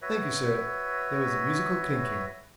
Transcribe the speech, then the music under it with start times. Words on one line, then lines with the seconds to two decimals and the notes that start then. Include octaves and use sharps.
'Thank you, sir.' There was a musical clinking.
0.02 F#4 B4 C#5 E5